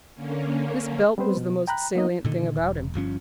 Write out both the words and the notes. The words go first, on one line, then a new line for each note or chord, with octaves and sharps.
This belt was the most salient thing about him.
D3 A#3 C#4
G3 B3 C4 B4 C5
B2
G5 A#5 B5 F#6
F#3 A#3 B3 D#4 D#5
A#2 D3 D#3
E1
G1 G2 F3 C#4